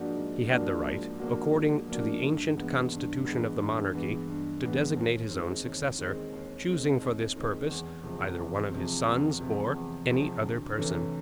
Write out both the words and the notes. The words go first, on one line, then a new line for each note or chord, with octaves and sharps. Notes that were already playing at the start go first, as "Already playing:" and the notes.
He had the right, according to the ancient constitution of the monarchy, to designate his own successor, choosing for this purpose either one of his sons or any other person.
Already playing: G#2 F3 A#3 D4 F#4
G#2
F3 A#3 D4 F#4
G#2
F3 A#3 D4 F#4
G#2
F3 A#3 D4 F#4
G2
E3 G#3 B3
G2
E3 G#3 B3
G2
E3 G#3 B3
G2
E3 G#3 B3
D#2
D#3 G#3 C4
D#2
D#3 G#3 C4
D#2
D#3 G#3 C4
D#2
D#3 G#3 C4
E2
C3 F3 G#3 C4
E2
C3 F3 G#3 C4
E2
C3 F3 G#3 C4
E2
C3 F3 G#3 C4
D2
C3 E3 A3 C#4